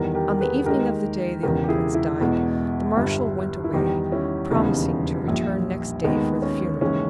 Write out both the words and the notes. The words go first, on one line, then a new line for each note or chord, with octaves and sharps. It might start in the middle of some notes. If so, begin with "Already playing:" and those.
On the evening of the day the old prince died the Marshal went away, promising to return next day for the funeral.
Already playing: E2 D#3 G3 G4 A#4
G4 A#4
A#4
G#4 B4
B4
D#2 D#3 G#3 G4 A#4
E1 E2 C#3 G4 A#4
G4
E4 G#4
E4 G#4
E1 E2 B2 G#3
G1 G2 G3
E4
E2 D#3 G3 D#4 G4
C#4 E4
E1 D#2 C#3 E3 G3 B3 D#4
A#1 A#2 G3
D#2 D#3 G#3 B3 D#4
C#4
D#2 C#3 E3 G#3 C#4 E4